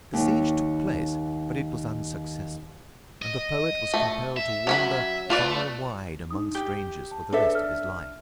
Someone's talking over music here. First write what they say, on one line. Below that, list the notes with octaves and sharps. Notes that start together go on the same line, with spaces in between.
The siege took place, but it was unsuccessful, and the poet was compelled to wander far and wide among strangers for the rest of his life.
D#2 C#5
D#5
A3
E5
F#3 C#4 B5
A3 F4 B4 D5
D4 D#4 D#6
G4 G5 G6 G7
A5
D4 G#4 A4 B4 C#5 E5
F6